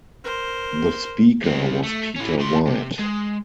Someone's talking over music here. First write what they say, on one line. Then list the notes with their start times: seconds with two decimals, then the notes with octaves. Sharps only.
The Speaker was Peter White.
0.24 A#4 C5
1.44 G3 C4
1.83 A3
2.16 E3 C#4
2.39 A2 C6
2.67 C3
2.99 G#3